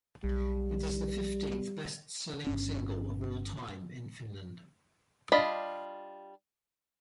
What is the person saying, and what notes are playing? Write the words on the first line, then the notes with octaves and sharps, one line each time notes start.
It is the fifteenth-best-selling single of all time in Finland.
B1 G3
G1 G2 C#4
G3 D4 F4 D#5 B5